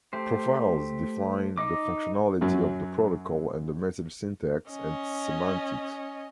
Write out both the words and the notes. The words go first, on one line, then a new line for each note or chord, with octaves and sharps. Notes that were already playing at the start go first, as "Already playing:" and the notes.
Profiles define the functionality of the protocol and the message syntax and semantics.
A3 G4 C5
D#4 D#5 D6
F#2 F#3
C#4 D#5